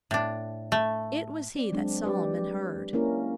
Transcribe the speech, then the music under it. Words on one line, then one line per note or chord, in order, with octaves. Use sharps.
It was he that Solomon heard.
A2 D4
A3
C4 D5
F#3 G#3 C4 D4
G4 B4 D5
A#3 C#4 E4 A#4